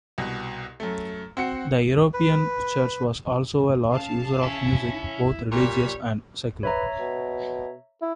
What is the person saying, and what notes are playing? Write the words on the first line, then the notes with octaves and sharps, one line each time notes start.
The European Church was also a large user of music, both religious and secular.
C2 B2
F#2 A3
C4 F#4 C#7
B4
C#3 F5 A5
C#4 E4
A#1 A#2 G3 C#5 B6
B4 C#5 E5 A#5
B2
E4